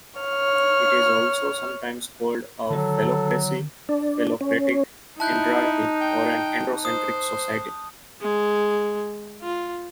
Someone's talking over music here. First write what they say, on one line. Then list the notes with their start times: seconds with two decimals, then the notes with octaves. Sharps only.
It is also sometimes called a phallocracy, phallocratic, andrarchy, or an androcentric society.
0.20 C#5 F6
2.70 D3 D#3 F#3 A4
3.89 D4
4.41 C#4
5.20 D#4 E4 A5 F#6 G6
6.01 G5
6.85 C5 D#6
8.21 G#3
9.42 F4